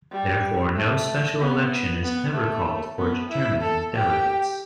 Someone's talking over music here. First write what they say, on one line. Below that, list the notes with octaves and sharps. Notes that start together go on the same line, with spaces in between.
Therefore, no special election is ever called for determining delegates.
G3
A3
B3
B3
A3
B3
E4
A4
G4